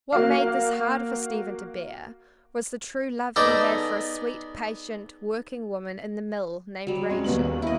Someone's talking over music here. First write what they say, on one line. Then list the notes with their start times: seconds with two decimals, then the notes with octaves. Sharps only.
What made this harder for Stephen to bear was the true love he had for a sweet, patient, working woman in the mill named Rachel.
0.13 A#3 F#4 F5
3.36 B3 D#4 G#4 A4 D5
6.87 F#3 G3
7.10 G#3 C#4
7.24 D#2 B3 F#7
7.62 E4 D#5